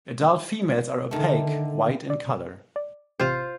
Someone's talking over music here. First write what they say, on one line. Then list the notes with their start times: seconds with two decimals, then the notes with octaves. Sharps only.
Adult females are opaque white in colour.
1.11 D3 D#3 A3
2.10 D5
2.76 D5
3.20 A1 C3 F4 G4 C5